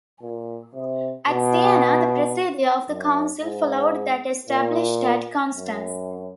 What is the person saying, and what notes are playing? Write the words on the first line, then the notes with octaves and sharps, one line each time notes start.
At Siena, the procedure of the Council followed that established at Constance.
A#2
C3
B2
F#2
G#2
A#2
F#2